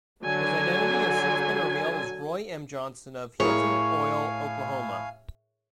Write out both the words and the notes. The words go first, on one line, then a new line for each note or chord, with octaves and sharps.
His identity has since been revealed as Roy M. Johnson of Healdton Oil, Oklahoma.
D3 F#3 G#5
A2 G#4 A#4 C#5 F5 G#5